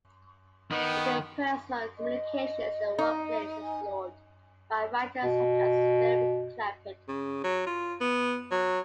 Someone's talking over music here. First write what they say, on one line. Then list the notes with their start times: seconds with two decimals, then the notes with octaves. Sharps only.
Interpersonal communications in the workplace are explored by writers such as Phillip Clampitt.
0.71 D#3 B3
1.98 D#5
2.98 D#4
3.62 G#5
5.24 B2
7.08 C#3
7.44 F#3
7.67 F4
8.01 B3
8.51 F#3